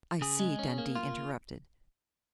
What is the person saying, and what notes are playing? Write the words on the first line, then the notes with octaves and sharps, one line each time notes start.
"I see," Dundee interrupted.
C#3 G#4
G#3
C#4
A#3
F4